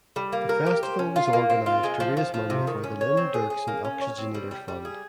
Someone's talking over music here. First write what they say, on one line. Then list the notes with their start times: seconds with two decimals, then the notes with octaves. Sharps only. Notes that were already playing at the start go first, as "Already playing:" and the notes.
The festival was organized to raise money for the Lynne Derksen Oxygenator Fund.
0.16 G3
0.32 A#3
0.49 A#4
0.66 G4
0.83 C5
0.99 C#4
1.16 F4
1.33 A#3
1.50 C4
1.66 F4
1.84 G#3
2.00 F3
2.17 F3
2.34 F3
2.50 C3
2.67 D#3
2.84 C#4
3.01 C#5
3.17 C4
3.34 G#4
3.50 G#4
3.68 A#3
3.85 C#4
4.01 C#5
4.18 C4
4.34 G3
4.51 G3
4.68 G3
4.85 G#4